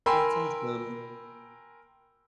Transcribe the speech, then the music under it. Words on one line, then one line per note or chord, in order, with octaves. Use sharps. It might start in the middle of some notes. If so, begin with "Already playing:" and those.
That's awesome.
A#4 G5 G#5 B5 C6 E6